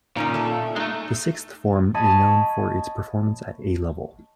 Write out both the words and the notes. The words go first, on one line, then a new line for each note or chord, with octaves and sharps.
The sixth form is known for its performance at A-level.
A#2 D#3 C#4 D#4
A3 A4
G#3 A3 D#4
C#5 D#5 G#5 A5 B5 D#6